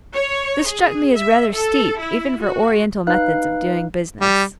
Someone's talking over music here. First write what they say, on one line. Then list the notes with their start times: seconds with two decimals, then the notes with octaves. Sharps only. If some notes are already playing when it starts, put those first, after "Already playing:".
This struck me as rather steep even for Oriental methods of doing business.
0.14 C#5
0.68 G#4
1.17 E5
1.53 A4
2.01 E4
2.44 F#4
3.07 D#4 B4 F5 F#6
4.21 G3